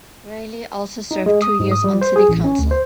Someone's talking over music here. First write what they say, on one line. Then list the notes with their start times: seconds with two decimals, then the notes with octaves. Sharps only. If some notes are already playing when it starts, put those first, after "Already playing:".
Reilly also served two years on city council.
1.11 D#4
1.26 G#3
1.42 D#6
1.60 G#2
1.71 D#6
1.84 G3
2.01 C5
2.16 G#4
2.29 A1
2.44 C#4
2.59 D2
2.71 C5